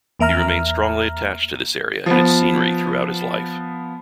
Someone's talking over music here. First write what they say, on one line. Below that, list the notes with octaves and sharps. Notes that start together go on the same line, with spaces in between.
He remained strongly attached to this area and its scenery throughout his life.
E2 A#3 E5 A#5 F6
F3 B3